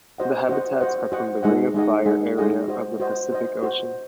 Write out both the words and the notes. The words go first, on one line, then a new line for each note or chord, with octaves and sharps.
The habitats are from the Ring of Fire area of the Pacific Ocean.
F#4 C5 D#5 F#5
F#4 C5 D#5 F#5
F#4 C5 D#5 F#5
F#4 C5 D#5 F#5
G#3 D#4 G#4 D#5 F#5
G#3 D#4 G#4 D#5 F#5
G#3 D#4 G#4 D#5 F#5
G#3 D#4 G#4 D#5 F#5
F#4 C5 D#5
F#4 C5 D#5
F#4 C5 D#5
F#4 C5 D#5